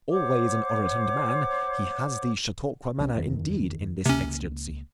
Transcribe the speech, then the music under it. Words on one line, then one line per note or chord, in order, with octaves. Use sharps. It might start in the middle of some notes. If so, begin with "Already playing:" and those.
Always an orotund man, he has the Chautauqua manner indeed in this exigency.
C5 C#5 F#5 D6
B1 F3 C#4
F#1 E2 D#3
C#2 C3 A#3 C#4